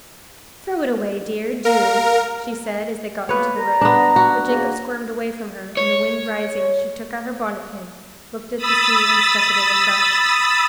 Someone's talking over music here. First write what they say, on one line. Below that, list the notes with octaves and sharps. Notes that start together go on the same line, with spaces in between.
"Throw it away, dear, do," she said, as they got into the road; but Jacob squirmed away from her; and the wind rising, she took out her bonnet-pin, looked at the sea, and stuck it in afresh.
A#4 F5
B2 A#3 B3 B4 C#5
A#5
B3 D4
F#4
E2 A#3 A#5
C#5
B5 D#6 E6 A6